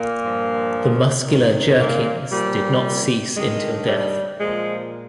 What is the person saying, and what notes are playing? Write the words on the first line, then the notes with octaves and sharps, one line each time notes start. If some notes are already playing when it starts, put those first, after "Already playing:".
The muscular jerkings did not cease until death.
Already playing: A#2 A#3
G2 F3
G2 D#3
A#2 A#3
A#2 F3 G3
G2 D#3 G#3
G3
A#2 F3 G#3